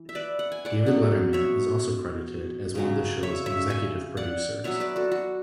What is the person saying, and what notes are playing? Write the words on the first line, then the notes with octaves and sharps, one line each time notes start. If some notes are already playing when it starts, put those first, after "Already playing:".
David Letterman is also credited as one of the show's executive producers.
Already playing: E3
E5
B4 D5
F#5
G#5
D5 F#5
B2 F#3 B3
C#5 E5
C#3 F#3 C#4
C#5 E5
C#5 E5
E5 G#5
D5 F#5
F#3 B3 D4 C#5 E5
B4 D5
F#4 A4
F#4